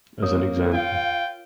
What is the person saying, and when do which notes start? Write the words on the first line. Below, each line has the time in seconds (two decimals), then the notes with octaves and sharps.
As an example.
0.22 A#3 A#4 C#5 D#6
0.74 F4 F5 G5